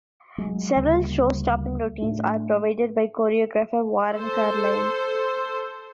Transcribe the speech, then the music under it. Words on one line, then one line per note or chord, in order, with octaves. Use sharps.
Several show-stopping routines are provided by choreographer Warren Carlyle.
F#3 G#3
D2 C#3 G3 A#3
A2 A3 D4
A4 C5